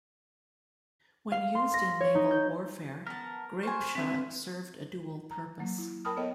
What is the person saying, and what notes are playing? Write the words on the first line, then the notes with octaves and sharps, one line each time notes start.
When used in naval warfare, grapeshot served a dual purpose.
F5
C6
A#6
B6
C#5
D#4
G6
B3 A#4 A5
C5 G#5 C#6
D3 C4 B4 E5 F6
A#5
F#3 A#3
E4
A#4 G5 A5 B5 D#6 F6
B3 A4 C#5 D#5 G5